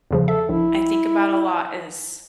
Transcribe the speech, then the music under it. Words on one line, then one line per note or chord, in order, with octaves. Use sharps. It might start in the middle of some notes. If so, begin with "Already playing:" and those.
I think about a lot is,
E2 C#3 F3
A4 E5
A#1 E4